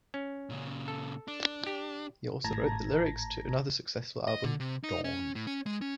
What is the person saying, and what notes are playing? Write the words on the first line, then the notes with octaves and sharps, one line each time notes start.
He also wrote the lyrics to another successful album "Dawn".
C#4
A#2 C#3
A4
D4
G4
G#1 A2 A5 A#5 G#6 A#6
D#5
D3
C3
D#4
C#4
A2
C#4
G#3
C#4